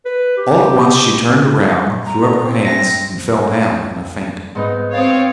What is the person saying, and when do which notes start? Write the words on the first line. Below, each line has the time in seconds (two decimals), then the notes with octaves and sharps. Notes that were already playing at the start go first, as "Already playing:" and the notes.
All at once she turned round, threw up her hands, and fell down in a faint.
0.05 B4
0.37 G4
2.06 A#5
2.22 D3
2.44 C4
2.65 A#6
4.55 G#2 B3 D#4
4.94 C4 C#5 F5 D#6 A6